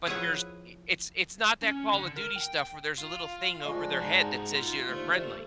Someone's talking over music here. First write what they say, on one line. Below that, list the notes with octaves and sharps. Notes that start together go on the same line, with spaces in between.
but there's i it's it's not that Call of Duty stuff where there's a little thing over their head, that says you're friendly.
F3 E4 G#4 B4 C#5 F#5
C#4
D3
A#4
G5
F4
F3 G#3 A3 D4 D#5 C#6
G#2 D#4 F#4
F4
D#2 D3 A3 C5